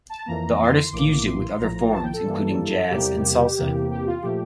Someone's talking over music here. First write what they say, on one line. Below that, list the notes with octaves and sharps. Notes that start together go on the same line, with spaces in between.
The artists fused it with other forms, including jazz and salsa.
A5
F2 E3 A#3 A#5
C6
A#1 A2 E3 A#3 D6
C6
A#1 A2 F3 A#5
A5
G5
A4
G2 E3 G3 A#3
E2 C3 G3 A#3 G4
E2 C3 E3 A#3
G4
F4
A#2 F3 A3 G4